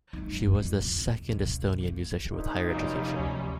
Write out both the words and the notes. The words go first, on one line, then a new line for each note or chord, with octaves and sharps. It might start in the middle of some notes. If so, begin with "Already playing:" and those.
She was the second Estonian musician with higher education.
G#3 D#4
F1 F#2
F2
C3
C#2 B2
F1 A#3
A#1 A#2 D#4
F1 C3 F#3 G3 C#4
D2